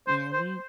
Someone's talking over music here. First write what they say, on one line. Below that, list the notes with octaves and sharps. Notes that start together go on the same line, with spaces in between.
and we
C5
C5